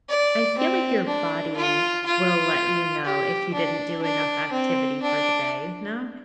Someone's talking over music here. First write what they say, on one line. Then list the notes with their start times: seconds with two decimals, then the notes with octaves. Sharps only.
I feel like your body will let you know if you didn't do enough activity for the day, no?
0.09 D5
0.58 C4
1.07 D4
1.56 F4
2.06 F4
3.04 G4
3.54 D4
4.02 D4
4.52 C4
5.02 D4